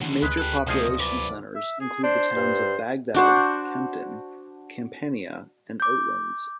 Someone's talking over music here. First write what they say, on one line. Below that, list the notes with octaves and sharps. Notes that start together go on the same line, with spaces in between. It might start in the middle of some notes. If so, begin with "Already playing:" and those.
Major population centres include the towns of Bagdad, Kempton, Campania and Oatlands.
D#2 D3 E3 F#4
D2 G#3 B4 B6
G4 A4
C2 C3 F3 A3 G#4 D#5
F#2 B4 D5
E5
G#4
D4 C5
G2
D4 F#4 C5
D6 G6